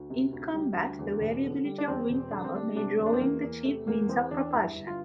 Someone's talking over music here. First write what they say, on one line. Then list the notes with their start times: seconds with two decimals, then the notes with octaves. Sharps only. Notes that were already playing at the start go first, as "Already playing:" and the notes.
In combat, the variability of wind power made rowing the chief means of propulsion.
Already playing: D2
0.10 C3
0.32 D2
0.54 G3
0.76 D2
0.99 E2
1.20 E1
1.42 D3
1.65 G3
1.78 D4
1.88 E2 C4
2.09 E1
2.31 D3 D4
2.44 C4
2.53 G3 D4
2.75 C3 D4
2.99 E2
3.06 D4
3.13 C4
3.21 E3 A#3
3.42 E2
3.65 C3 A3
3.87 E2 A#3
4.09 E3 C4
4.31 E2 D4
4.53 G2 E4
4.75 G1
4.87 F4